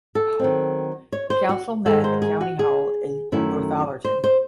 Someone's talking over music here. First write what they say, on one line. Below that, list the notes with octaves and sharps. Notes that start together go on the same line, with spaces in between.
The council met at County Hall in Northallerton.
A4
D#3 F#3 C4
C#5
C5
F#4
G#2 D#3 G#3 A4
C5
G#4
F#4
G#4
F#2 D#3 A3 C#4 E4
C5
C5